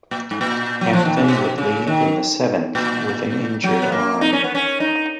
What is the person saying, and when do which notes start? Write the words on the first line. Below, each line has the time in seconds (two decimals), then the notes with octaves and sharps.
Hampton would leave in the seventh with an injured arm.
0.11 A#2
0.31 G#2
0.41 A#2
0.81 F#3
0.93 F3
1.05 D#3
1.17 C#3
1.28 B2
1.58 C#3
1.87 D#3
2.75 A#2
3.64 F#3
3.82 B3
3.92 A#3
4.21 D#4
4.33 C#4
4.44 B3
4.55 C#4
4.80 D#4